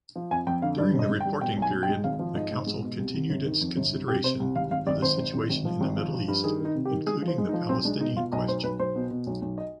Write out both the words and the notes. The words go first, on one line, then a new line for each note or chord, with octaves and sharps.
During the reporting period, the Council continued its consideration of the situation in the Middle East, including the Palestinian question.
F3
F2 G#5
F2 G5
D3 F5
G2 D5
G1
D#5
G1
G5
G3
B2 G5
B1
G#5
B1
G5
G#3
G#1 F5
F3
G#2 D#5
G#2
G#3
B2
C2
C2
G1
D#3
F2
G1
C2
C3 G4
C3 C5
C2
G#1 F5
G#1 F5
G#1 D5
G#1 C5
G#1
G#1
G#1
F3
G#1
F3
F3
G2
D#3 G#4
D#3
D#4
C3
G4
D#3
G#3 G#4
F3
C5
G#3
D#4
F3
B1 C4
G#3 D4
B2 D#4
B2 F4
B1 D#5
B1 C5
B1 B4
B1 C5
B2
B2
B1
B1
D#5